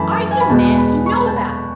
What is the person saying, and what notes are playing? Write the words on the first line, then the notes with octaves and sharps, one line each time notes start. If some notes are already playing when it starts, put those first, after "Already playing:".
"I demand to know them!"
Already playing: F#2 E3 A3 A5 B5
A5
G#5
B5
E2 B2 G#3 B3 A5
B5
C#6
B5
A5
B5